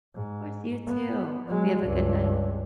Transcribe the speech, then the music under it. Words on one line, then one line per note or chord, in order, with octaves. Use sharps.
Of course, you too! I hope you have a good night.
G#2
B3
F#3 G#3
C#2 G2